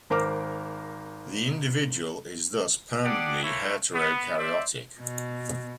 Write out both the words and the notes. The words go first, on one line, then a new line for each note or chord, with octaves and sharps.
The individual is thus permanently heterokaryotic.
G#1 A#4 C5 A#5 D6 F6
D4 G4 G#4 D5 F#5
A3 A#3 C4 E4 C#5
B3
C5 D5 E5
B2